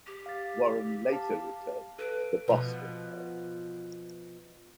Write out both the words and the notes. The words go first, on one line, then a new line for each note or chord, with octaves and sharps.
Warren later returned to the Boston area.
G4
F5 A6
F5 A5
A4 B4 D7
B2 F3